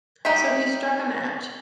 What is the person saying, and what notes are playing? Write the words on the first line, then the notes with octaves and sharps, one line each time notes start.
So he struck a match.
G3 D#4 G4 E5